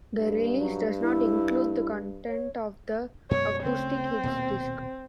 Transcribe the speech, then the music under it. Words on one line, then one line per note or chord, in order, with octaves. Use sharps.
The release does not include the content of the "Acoustic Hits" disk.
G2
F#3
E4
C#5
F#2 B2 G#3 C#5
D2 C#3 A3 C4
D#1 B2 A#3